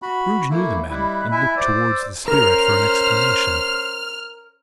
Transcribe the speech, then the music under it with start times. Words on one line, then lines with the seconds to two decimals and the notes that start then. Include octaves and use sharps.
Scrooge knew the men, and looked towards the Spirit for an explanation.
0.02 F#4 B5
0.50 A3 A#3 E4
0.90 G3 E4 D#5 B5 F#6
1.32 E4 E5 G#5
1.57 C5 D5 E6
2.28 C#4 A#4 C5 F6